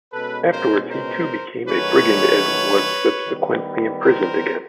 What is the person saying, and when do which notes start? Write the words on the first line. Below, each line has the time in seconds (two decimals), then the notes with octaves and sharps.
Afterwards he too became a brigand and was subsequently imprisoned again.
0.13 B2 G#3 C#4 A4 B4
0.52 A#4 C5
0.91 A#4 C5
1.69 D#3 F#3 A3 C#4 B4 C#5
3.24 D#3 G3 B3
4.02 A#4 C5